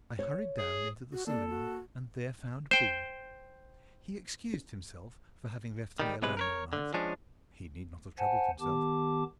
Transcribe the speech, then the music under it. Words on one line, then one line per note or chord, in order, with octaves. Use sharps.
I hurried down into the saloon and there found B. He excused himself for having left me alone all night--he need not have troubled himself.
C#5
G#4
F#4
A#3 A4 D5
F#4
C5 G5
D#3 G3
B1 C3 G#3 B4
A#4 B4 C#5
D3
F3 G#3 C#4 D4
C5 F#5 G#5 A5
D#3 B3 G4 A5 D6